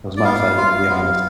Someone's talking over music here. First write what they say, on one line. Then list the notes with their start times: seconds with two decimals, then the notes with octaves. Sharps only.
it was my pleasure, to be honest.
0.17 D5
0.25 B3 F5
0.57 F4
0.90 B3